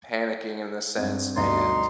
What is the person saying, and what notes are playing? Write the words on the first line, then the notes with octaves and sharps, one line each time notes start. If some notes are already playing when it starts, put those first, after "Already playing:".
panicking in a sense, and,
G2 C4
D2 G2 B2 D#4 C6